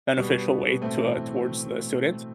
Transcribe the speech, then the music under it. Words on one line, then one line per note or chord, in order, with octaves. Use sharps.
beneficial way to, uh towards the student
B2 G3 B3
B2
B2
B2
A2 A3 C4
E3
A2